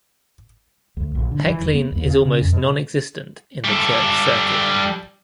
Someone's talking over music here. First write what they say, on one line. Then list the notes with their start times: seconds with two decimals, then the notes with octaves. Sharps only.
Heckling is almost nonexistent in the church circuit.
0.97 D2
1.15 A#1
1.31 D3
1.46 E3
1.58 E1
1.74 B3
1.92 D#2
2.05 C#3
2.22 C#3
2.41 F2
2.53 B2
3.65 G3 A4